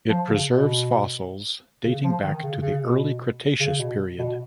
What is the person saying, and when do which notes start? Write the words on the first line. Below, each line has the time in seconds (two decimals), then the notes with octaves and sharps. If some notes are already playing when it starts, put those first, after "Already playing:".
It preserves fossils dating back to the early Cretaceous period.
0.09 F3
0.28 C#3
0.48 B2
1.84 C#3
2.04 F3
2.23 D#3
2.43 C#3
2.62 C#3
2.82 B2
3.60 C#3
3.79 B2
4.19 B2